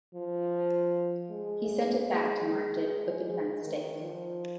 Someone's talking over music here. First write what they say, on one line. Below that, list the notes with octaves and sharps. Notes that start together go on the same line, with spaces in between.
He sent it back and marked it 'Opened by mistake.
F3
G#3
G#3
G#3
G#3
D#3
F3